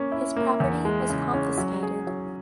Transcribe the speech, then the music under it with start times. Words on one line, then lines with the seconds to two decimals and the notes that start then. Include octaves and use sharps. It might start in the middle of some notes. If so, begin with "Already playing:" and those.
His property was confiscated.
Already playing: A#3 C#4
0.12 E4
0.36 A#3
0.60 E2
0.85 G#3
1.09 C#3
1.33 C#4
1.58 F#3
1.83 G#4
2.07 F#3